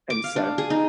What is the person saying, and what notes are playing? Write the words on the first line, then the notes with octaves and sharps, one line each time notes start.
And so
D6
F5
D4
G#4
D#4